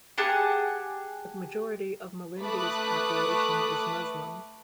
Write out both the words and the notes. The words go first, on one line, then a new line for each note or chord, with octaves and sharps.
The majority of Malindi's population is Muslim.
G4 G#4 F#5 A5
A3 B4 B5 D6 D#6 F#6